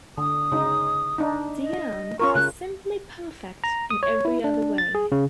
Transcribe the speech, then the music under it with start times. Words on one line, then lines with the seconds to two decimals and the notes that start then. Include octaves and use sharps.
Diane is simply perfect in every other way.
0.18 D3 D#6
0.52 C#3 D#4
1.18 D4 D#4
1.62 D#5
2.20 C#4 F4 A#4 C#6
2.35 C#3 F#6
3.64 A#5
3.90 D#6
4.03 C#5
4.25 E4
4.44 D4
4.78 A6
4.95 G#4
5.12 C#3